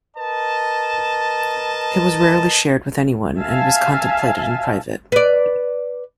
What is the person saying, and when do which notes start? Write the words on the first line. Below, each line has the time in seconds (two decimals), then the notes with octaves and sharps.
It was rarely shared with anyone and was contemplated in private.
0.17 A#4 B4 D#5 A5
3.39 E5 F5 G#5 A5
5.12 B4 D5